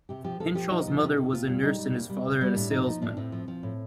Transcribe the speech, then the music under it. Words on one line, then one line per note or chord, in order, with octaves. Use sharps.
Henshall's mother was a nurse and his father a salesman.
C3 G4
F3 G4
F3 A4
F3 G4
F3 D#4
F3
C3
C3
C3 F4
G3
G3 D#4
G3
C3 A#3
G3
C3
G3
A2 D4
F3 D#4
F3 D#4
A2 D4
A2 C4
F3
F3
A2